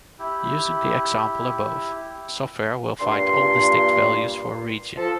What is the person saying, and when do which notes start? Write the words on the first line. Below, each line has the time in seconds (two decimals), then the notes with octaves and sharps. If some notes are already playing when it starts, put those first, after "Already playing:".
Using the example above, software will find all distinct values for "Region".
0.19 E4 G4
3.00 G2 A#2 C6
4.97 F3 A4